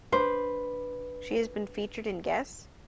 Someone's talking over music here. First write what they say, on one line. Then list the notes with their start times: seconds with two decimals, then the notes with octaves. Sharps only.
She has been featured in Guess?
0.12 D4 B4 C5